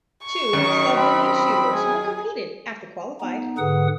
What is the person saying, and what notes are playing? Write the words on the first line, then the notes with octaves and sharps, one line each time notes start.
Two Slovenian shooters will competed after qualified.
C#6
F#2 D#3
C4 B5
G#4
B3 D#4
G#2 D3 G#4 B4 F#5 D#6